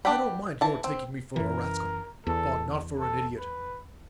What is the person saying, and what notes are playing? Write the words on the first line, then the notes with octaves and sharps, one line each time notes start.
I don't mind your taking me for a rascal, but not for an idiot.
D4 G4 F#5 G5 B5
E3 A5
C4
F#2 E3 A#4
E2 A4
A4
B4